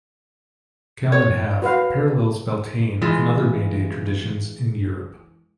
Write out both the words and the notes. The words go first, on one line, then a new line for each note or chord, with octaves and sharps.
Calan Haf parallels Beltane and other May Day traditions in Europe.
C#5
F#4 B4 F5
E3 G#3 F4